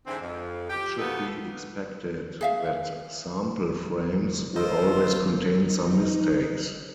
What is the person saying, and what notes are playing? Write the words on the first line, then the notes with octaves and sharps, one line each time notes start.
It should be expected that sample frames, will always contain some mistakes.
G#2 D3 E3 C4
F2
G4
F2 B2 A#3 B3 D#4 A4
G#4 E5 F5
F4 C5 D#5 E6
D#4